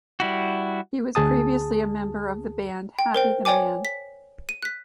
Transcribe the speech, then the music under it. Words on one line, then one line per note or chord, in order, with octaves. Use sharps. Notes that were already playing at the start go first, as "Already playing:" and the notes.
He was previously a member of the band Happy the Man.
G3 E4 F#4
D2 G#4 A5 D#6
G5
A#4 C5 G5
C#5 D5 G5 G#5 D6
B6
D#7
F#6 B6